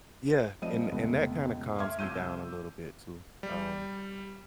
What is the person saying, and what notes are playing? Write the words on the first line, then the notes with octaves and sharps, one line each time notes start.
yeah, and and that kinda calms me down a little bit too. Um,
F3 G3 C4 D#5 D#7
F1 C#2 A3 B3
E5 C6 D6 F6 G#6
C2 E6 G6 D#7
G3